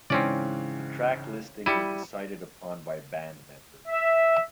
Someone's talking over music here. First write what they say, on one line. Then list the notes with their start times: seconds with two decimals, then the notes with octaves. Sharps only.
The track listing was decided upon by band members.
0.10 G#2 C#3 E3 C4 C#4 D5
1.66 G3 E4 C#7 D#7
3.87 E5